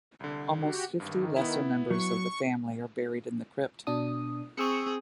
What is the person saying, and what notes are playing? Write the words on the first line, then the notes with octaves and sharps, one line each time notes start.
Almost fifty lesser members of the family are buried in the crypt.
C2 D3
F#4 G4
G#1 G2 D#3
B3 E4
F#3 C#6
B2 D4 D#6
C4 G#4 C#6 E6 C#7